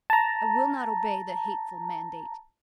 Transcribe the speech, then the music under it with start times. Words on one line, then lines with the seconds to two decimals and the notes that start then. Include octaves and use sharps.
I will not obey the hateful mandate!
0.10 A5 A#5